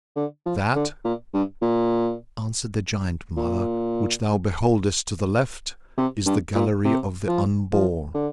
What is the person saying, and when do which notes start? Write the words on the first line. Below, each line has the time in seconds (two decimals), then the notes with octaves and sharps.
'That,' answered the giant-mother, 'which thou beholdest to the left, is the gallery of the Unborn.
0.16 D3
0.46 F3
0.75 D3
1.04 A#2
1.34 G2
1.62 A#2
3.37 A#2
5.97 C3
6.26 G2
6.55 A#2
6.85 C3
7.28 F3
7.72 F3
8.14 D3